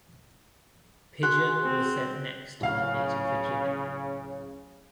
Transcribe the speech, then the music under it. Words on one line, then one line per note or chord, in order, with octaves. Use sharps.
Pidgeon was sent next to her native Virginia.
F#4 G#4 F#5 C6 F#6
C4
D1 C#3 F5 F6